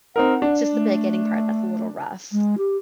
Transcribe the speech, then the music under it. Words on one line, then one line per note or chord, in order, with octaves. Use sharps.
Just the beginning part that's a little rough.
C4 D#4 A#4 F#5
D4
A3
G#3
G4